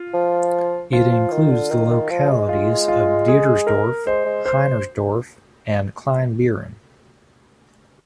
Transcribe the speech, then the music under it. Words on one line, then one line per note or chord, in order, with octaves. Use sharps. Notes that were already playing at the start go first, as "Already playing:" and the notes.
It includes the localities of "Diedersdorf", "Heinersdorf" and "Kleinbeeren".
Already playing: F4
F3
F3 F4
F3
D#3
D3
D#3
D#3
F3
G#3
F4
F4
G#4
A#4
G#3 C5
G#3
C5